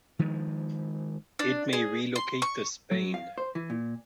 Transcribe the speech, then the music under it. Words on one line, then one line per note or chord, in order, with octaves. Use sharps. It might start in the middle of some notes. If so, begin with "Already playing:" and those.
It may relocate to Spain.
D#3 F3 G#3
D4
G#4
C6
C#6
F#3
F5
C5
E3
A#2